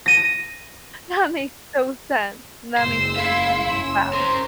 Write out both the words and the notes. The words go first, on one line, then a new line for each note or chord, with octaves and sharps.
That makes so sense. That makes so much sense. Wow.
A#6 D#7
F#1 E2 G#3 C5 C6 E6
E4 E5 F5
F#1 C#4 C6 E6
C#4 A#4 C5 C6